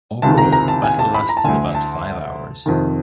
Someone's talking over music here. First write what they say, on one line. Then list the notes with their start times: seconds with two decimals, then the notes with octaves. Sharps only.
Overall, the battle lasted about five hours.
0.22 C#2 C3 D#3 A5
0.38 A#5
0.52 A#5
0.68 A5
0.84 G#5
0.99 A5
1.14 B5
1.29 A#5
1.37 A5
1.44 D2 D3 G#5
1.75 A5
2.66 F2 C3 D#3